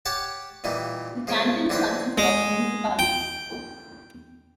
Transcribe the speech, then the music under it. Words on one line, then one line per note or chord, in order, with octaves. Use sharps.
The cantons consist of municipalities.
G4 C#5 F#5 A5
A#2 D#3 E3 G3
F3 G#3 C#5
D3 E3 F#3 B4 C5 G5
G#3
G5